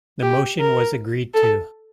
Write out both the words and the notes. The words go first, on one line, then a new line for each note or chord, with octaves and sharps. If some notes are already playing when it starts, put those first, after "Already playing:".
The motion was agreed to.
G4
A#4
A4